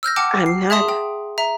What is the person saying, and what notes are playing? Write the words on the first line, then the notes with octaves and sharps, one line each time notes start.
I I'm not
E6 F6 G6 A#6
F#5 G5 A5 D6 F6 C#7
C7
G#4 E5 A5 C6 D#6
G5
E5 A#5